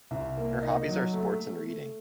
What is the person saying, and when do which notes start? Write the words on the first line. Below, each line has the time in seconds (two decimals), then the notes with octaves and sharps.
Her hobbies are Sports and reading.
0.11 C2
0.37 A#3
0.63 D#4
0.88 F#3
1.13 A3
1.39 A3
1.65 A3